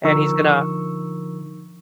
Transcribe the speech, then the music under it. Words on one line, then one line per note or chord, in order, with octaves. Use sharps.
and he's gonna
D3 F3 D#4 A#4 C#6 E6